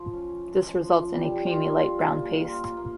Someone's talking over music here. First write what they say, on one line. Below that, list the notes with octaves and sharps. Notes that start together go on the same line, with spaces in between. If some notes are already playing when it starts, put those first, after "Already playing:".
This results in a creamy, light brown paste.
Already playing: F3
C#4
F3
F3
G3
F4
F4
A#3
F4
A#3